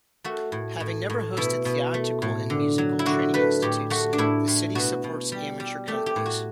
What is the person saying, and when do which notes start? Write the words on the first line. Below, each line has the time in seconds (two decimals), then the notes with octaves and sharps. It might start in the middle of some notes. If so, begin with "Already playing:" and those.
Having never hosted theatrical and musical training institutes, the city supports amateur companies.
0.24 A3 F#4
0.52 A2
0.80 A2
1.10 A2
1.37 B2 E4
1.65 B2
1.94 A3
2.22 A2
2.50 D3
2.78 F#3
2.99 E4
3.06 D3 F#4
3.34 A3 B4
3.62 A2 G4
3.90 A3 F#4
4.13 D4
4.18 A2 E4
4.48 A2
4.75 B2 F#4
5.04 B2
5.32 G3
5.60 G3
5.88 A3 G4
6.06 G4
6.16 A2
6.26 F#4